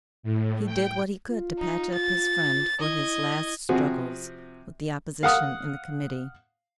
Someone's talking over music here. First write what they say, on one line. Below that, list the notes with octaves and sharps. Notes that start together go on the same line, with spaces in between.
He did what he could to patch up his friend for his last struggles with the opposition in the Committee.
A2
G5
F4
D#4
A6
E4 D#5 G#6
C3 F3 C4 F#4 G#4
F5 F#5 D#6